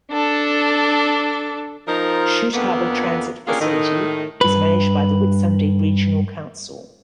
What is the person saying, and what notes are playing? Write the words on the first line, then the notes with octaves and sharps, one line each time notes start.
Shute Harbour Transit Facility is managed by the Whitsunday Regional Council.
D4 A4
F3 D#4 A#4
F2 D3 A#3 B3
A#3 C#4 D4 F4 G4 G#4
A2 D#3 D#4
G2 B4